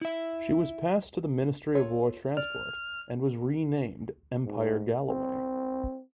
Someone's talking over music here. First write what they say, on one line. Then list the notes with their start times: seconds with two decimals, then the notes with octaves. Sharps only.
She was passed to the Ministry of War Transport and was renamed "Empire Galway".
0.01 E4 E5
1.75 F4 A4 C#5
2.37 D5 F6
4.44 G#2
5.09 C4